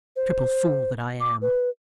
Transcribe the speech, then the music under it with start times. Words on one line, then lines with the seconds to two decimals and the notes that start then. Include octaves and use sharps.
Triple fool that I am!
0.16 C5
1.20 D6
1.42 B4